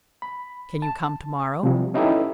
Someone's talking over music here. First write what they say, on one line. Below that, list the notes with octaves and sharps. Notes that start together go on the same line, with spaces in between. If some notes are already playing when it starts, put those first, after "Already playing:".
"Can you come to-morrow?"
B5
A5
C3 F3 G3
C#4 D#4 E4 G4 A4 B4